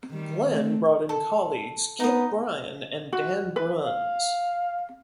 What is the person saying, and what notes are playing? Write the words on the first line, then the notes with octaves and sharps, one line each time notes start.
Glenn brought in colleagues Kip Bryan and Dan Bruns.
D#3 G3
A3 C4
A4
B3 D#4 D#6
F#4
B4
F5